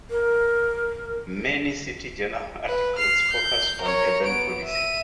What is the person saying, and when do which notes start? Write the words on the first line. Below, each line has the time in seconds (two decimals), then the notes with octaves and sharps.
Many "City Journal" articles focus on urban policy.
0.10 A#4
2.67 B4
2.98 F6 C7
3.34 G6
3.83 A#4 C#5
4.27 B3 D7
4.65 E5 D#7